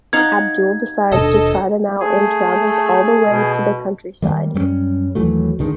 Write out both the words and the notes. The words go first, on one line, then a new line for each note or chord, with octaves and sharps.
Abdul decides to try them out and travels all the way to the countryside.
D#4 F5 F#5 G#6
D#1 B2 D4 A4 D#5
A3 G#4
B2
D#3 G3 A#3
F#2 G3 A3 C#4
D#2 E3 F#3 A3
C#2 D3 D#3 G#3